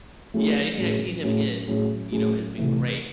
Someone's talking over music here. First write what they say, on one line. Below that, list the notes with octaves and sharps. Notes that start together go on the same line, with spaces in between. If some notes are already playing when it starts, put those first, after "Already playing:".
yeah. Anything I've seen him in, you know, has been great,
F#3 A3 C#4 E4 G#4
A2 F#3 C#4 G#4
A2 F#3 C#4 G#4
A2 F#3 C#4 G#4
A2 F#3 C#4 G#4
C3 E3 A3